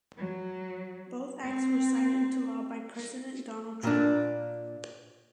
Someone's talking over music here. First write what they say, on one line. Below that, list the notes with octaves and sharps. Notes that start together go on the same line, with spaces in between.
Both acts were signed into law by President Donald Trump.
F#3
C4
A#2 A#3 D4